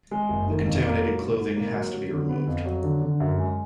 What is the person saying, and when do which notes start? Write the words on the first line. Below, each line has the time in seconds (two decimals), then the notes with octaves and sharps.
The contaminated clothing has to be removed.
0.11 G#3
0.29 F#1
0.48 D#3
0.66 F2
0.84 A#3
1.02 F#3
1.20 G#2
1.39 G#2
1.56 A#3
1.74 F#3
1.92 F#3
2.11 D3
2.29 B3
2.47 F2
2.65 F#3
2.83 D3
3.02 D3
3.20 F#2
3.38 G#3